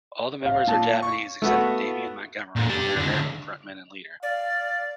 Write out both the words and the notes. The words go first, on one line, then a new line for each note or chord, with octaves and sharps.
All the members are Japanese except for Damian Montgomery, their American frontman and leader.
C#5 F5
A#2 A5
C#6
A3 B3 F#4
A#2 D3
G4 A5
C#2 D3
D5 F5